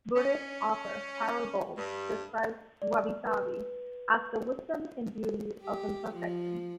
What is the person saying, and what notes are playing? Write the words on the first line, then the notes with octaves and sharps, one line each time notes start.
Buddhist author Taro Gold describes wabi-sabi as "the wisdom and beauty of imperfection".
C#4
G2
D5
B4
G4
F3